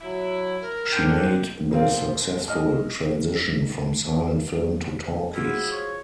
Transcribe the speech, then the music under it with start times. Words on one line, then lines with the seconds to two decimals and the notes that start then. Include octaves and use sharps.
She made the successful transition from silent film to talkies.
0.01 F#3 E4
0.61 A#4
0.92 G#2 D3 G5
1.71 A#2 C4 F4
2.48 D#5 F6
5.34 F3 G#3 E4 F#4
5.72 C#5